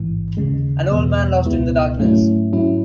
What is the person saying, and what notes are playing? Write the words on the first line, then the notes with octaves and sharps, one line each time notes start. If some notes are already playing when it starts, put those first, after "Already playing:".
An old man lost in the darkness.
Already playing: A1 G#2 E3
D#2 C#3 G#3
E2 B2 G#3 B3
C#2 B2 G#3 B3 E4
G#2 F#3 A3 C#4 E4
G#2 F#3 C#4 E4